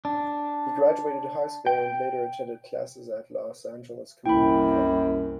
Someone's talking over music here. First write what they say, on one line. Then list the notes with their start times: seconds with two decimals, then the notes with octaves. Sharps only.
He graduated high school, and later attended classes at Los Angeles Community College.
0.05 D4
1.67 G5
4.26 C2 F#2 A#3 E4 G5 B5